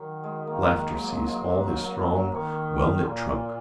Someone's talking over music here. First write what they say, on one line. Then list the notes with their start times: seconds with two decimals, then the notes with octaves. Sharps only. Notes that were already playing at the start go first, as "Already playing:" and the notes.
Laughter seized all his strong wellknit trunk.
Already playing: D#3 F#3
0.24 G#3
0.47 A#3
0.71 G#3
0.94 F#3 G#3
1.02 A#3
1.12 G#3
1.24 A#3
1.29 G#3
1.64 A#3
1.74 C#4
1.82 A#3
2.35 D#3 C#5
3.06 A#2